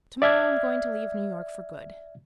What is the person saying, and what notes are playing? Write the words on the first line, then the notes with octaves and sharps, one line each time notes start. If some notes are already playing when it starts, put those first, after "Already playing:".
To-morrow I'm going to leave New York for good.
D5 E5 F6 G#6